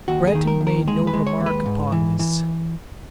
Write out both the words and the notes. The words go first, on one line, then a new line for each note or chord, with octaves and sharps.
Breton made no remark upon this.
D#2 F#4
G#4
D#3
A#4
D#2
A#4
G#3 G#4
B4
G#3
C#5
D#2
B4
G#2
E3
E3